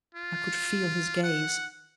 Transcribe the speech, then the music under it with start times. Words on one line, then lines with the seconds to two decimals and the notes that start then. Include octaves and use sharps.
I could feel his gaze.
0.15 F4
1.23 F#5